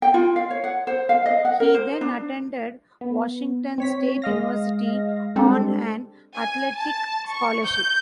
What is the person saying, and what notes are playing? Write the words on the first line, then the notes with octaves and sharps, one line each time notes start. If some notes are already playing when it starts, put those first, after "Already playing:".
He then attended Washington State University on an athletic scholarship.
G5
F4
F5
C#5
F#5
C5
F5
D#5
F#5
A#4
C5
D4
B3
C4 C#5 B6
G#3 D#5 F5 A#6
G3 G#3 C4 D4 G4 A4
G#5
A5
C#6
G6